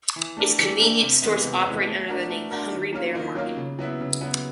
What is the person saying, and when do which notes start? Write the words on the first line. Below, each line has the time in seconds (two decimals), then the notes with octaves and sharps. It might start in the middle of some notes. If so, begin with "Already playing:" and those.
Its convenience stores operate under the name Hungry Bear Market.
0.16 E3
0.37 A3 D4 G4 A#4
0.59 E3
0.79 A3 D4 G4 A#4
1.01 C3
1.22 E3 G#3 B3
1.44 C3
1.64 E3 G#3 B3
1.86 A3
2.08 D4 F#4 A#4
2.29 A3
2.51 D4 F#4 A#4
2.71 D#3
2.93 F#3 A#3 C#4 F4
3.15 D#3
3.35 F#3 A#3 C#4 F4
3.57 C#3
3.79 F#3 B3 E4
4.01 C#3
4.21 F#3 B3 E4